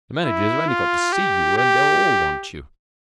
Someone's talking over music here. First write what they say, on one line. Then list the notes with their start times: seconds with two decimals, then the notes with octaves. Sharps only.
The managers have only got to see you and they'll all want you.
0.24 E4
0.68 F4
1.12 G4
1.57 G4